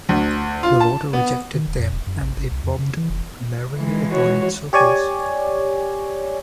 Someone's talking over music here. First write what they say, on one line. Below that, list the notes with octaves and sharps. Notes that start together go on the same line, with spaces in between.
The water rejected them and they bobbed merrily upon its surface.
D2
F4
A5
B3
D#3
D#1
F2
D#1
F#2
A1
G1
C2
F2
C#3
E3
F1
E3 F3 G#3
F#4 C#5
G4 C#5 D5 G#5